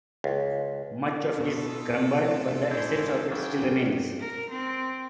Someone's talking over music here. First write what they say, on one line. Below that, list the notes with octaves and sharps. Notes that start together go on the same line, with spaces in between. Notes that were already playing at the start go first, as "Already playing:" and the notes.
Much of it is crumbled but the essence of it still remains.
C#2
E2 B2 F4 A4
C3
F1
G#2 E4 C5
C#3 F#3 C#4 D4 G#4 B4 G5
A#4
C4